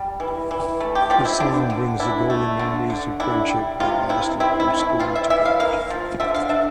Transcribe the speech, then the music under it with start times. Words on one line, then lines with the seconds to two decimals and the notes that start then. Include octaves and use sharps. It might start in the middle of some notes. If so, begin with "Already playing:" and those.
This song brings the golden memories of friendship that lasted from school to college.
Already playing: G3
0.20 E3
0.51 E3
0.80 A3
0.95 G4
1.10 F3 G4
1.25 E4
1.40 D3 D4
1.70 D3
2.00 D4 E4
2.30 A3
2.59 D3
2.90 D3
3.20 D4 E4
3.49 G3
3.80 C3 F4
4.09 C3 E4
4.40 C4 E4
4.60 E4
4.70 A3
4.80 E4
5.00 E3 F4
5.15 E5
5.30 E3 E5
5.45 F5
5.60 A#3 F5
5.90 F3
6.20 D3 E5
6.34 F5
6.49 D4 E5